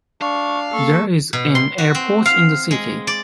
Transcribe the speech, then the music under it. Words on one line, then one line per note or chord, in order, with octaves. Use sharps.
There is an airport in the city.
D4 F5 C#6
A#3 A4 C#6
B2
C6
F#4
C4
F5
G#3
D5